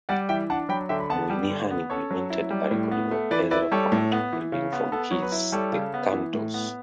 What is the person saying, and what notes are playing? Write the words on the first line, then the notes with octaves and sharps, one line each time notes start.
Moynihan implemented a recording of Ezra Pound reading from his "The Cantos".
G3 D5 F#5
E3 E5 G5
D4 F#5 A5
F#3 G5 B5
D3 E5 G5
B5
B3 F#5 A5
G3
D3
B3
C#4 A4 C#5
F#3
E4
G3
A2
B3
A3
E3 B4 D5
E4 B4 D5
G3 A4 C#5
A2
B3
E3
C#3
B3
B3 A4
F#3 C#5
B4
E4
G3 A4 C#5
C#3
B3
E3
A2
B3